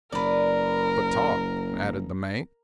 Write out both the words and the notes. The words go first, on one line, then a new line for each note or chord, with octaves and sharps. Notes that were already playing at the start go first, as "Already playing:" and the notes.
"But talk," added the mate.
F#1 A#4 B4 D5